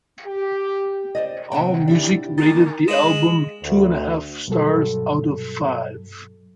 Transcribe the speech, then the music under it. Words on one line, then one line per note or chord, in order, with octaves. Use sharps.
"Allmusic" rated the album two and a half stars out of five.
G4
C5 D5 D#5
C3 D#3 C#4 F#5 G5
D4 E4 G4
D#3 A6
G#3 D#5 F5 A#6 E7 F#7
D2
G2 B2 F#3 A4